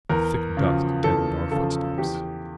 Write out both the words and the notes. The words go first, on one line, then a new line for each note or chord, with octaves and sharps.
The thick dust deadened our footsteps.
E2 A#4
C#3 F3
E2 A4
C#3 F3 A4
E2 G4